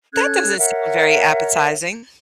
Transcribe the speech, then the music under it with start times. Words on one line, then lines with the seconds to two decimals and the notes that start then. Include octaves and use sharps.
That doesn't seem very appetizing.
0.13 C#4 A4 F#6 G#6
0.58 A#4 C#5 E5 F#5